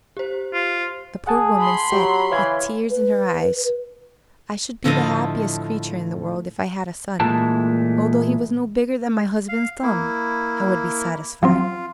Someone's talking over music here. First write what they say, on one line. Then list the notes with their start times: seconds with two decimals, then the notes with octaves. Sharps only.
The poor woman said, with tears in her eyes: "I should be the happiest creature in the world if I had a son; although he was no bigger than my husband's thumb, I would be satisfied."
0.17 G4 C5
0.53 F4
1.27 G#4 F#5 A5
1.59 B5 C6
1.92 F#3 G4
2.32 E3 C#5 F5 G#6
2.90 B4
4.84 A2 D3 F3 E4 A4 D#5
7.20 A#2 E3 G#3 A3 A5
9.49 F5
9.83 A#3 E4
11.43 F3 F#3 C4 F4